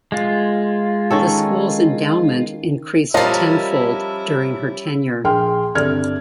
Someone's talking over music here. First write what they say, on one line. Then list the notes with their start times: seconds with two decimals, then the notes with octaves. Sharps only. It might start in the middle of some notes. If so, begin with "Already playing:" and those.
The school's endowment increased tenfold during her tenure.
0.12 G#3 F4
1.11 D#3 C#4 A4
3.14 F3 G3 C#4 E4 A#4 D#5 A5 A#5
5.24 A#1 G#4 G5 C6 F6
5.75 G1 C2 A4 D5 F6 G#6